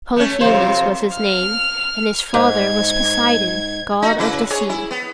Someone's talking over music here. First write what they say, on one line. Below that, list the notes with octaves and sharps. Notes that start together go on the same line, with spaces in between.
Polyphemus was his name, and his father was Poseidon, god of the sea.
A3 C#4
F2 C3 C5 F5
F6
G#2 G#6
D#4 F#4
C#3 E4 B4
G#4 C#5
E4
B3